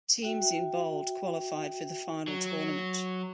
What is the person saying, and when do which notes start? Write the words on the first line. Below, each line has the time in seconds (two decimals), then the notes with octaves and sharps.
Teams in bold qualified for the final tournament.
0.22 F#4 E5 G5
2.27 F#3